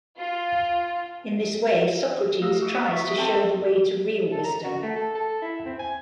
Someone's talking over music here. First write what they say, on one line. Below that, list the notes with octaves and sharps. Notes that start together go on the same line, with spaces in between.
In this way Socrates tries to show the way to real wisdom.
F4
A3 F5 E6 A#6
F#4 D#5
E5 C#6
C4 A4 E5 G5 A5 C6
A4
A#5
F#4
A3
A4
A4
E4
C4
G#5